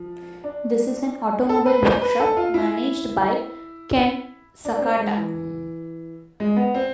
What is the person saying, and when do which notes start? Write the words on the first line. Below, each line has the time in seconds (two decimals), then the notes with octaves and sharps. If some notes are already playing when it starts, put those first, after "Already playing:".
The is an automobile workshop managed by Ken Sakata.
Already playing: F3
0.44 D4
1.49 A4
1.60 A4
1.66 B4
1.83 C5
2.02 B4
2.20 A4
2.37 F4
2.54 E4
4.65 D4
4.77 D4
4.81 C4
4.99 G#3
5.17 E3
6.40 G#3
6.56 B3
6.74 C4